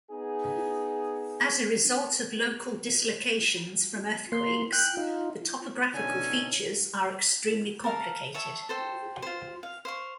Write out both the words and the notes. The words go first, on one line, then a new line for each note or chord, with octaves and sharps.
As a result of local dislocations from earthquakes, the topographical features are extremely complicated.
B3 D#4 G#4
A#3 C6
G5 F#6
D#4 F4
B2 D3 C#4 D#4 A4 G#5
A4 A#4 F5
C#5 E5 A5
A4 C5 G5
F4 C5
F5
C5 F5 C#6